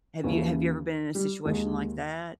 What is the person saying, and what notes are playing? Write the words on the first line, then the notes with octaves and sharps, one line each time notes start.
Have you have you ever been in a situation like that?
D#2 C#3 E3 B3 C#4
G3
D#2 D#3 G#3